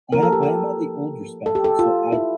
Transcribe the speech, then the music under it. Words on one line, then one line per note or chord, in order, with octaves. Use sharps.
I I am on the older spectrum, so I
F3 A#3 E4 A#4
A4
G4
A4
A4
G4
A4
F4
E4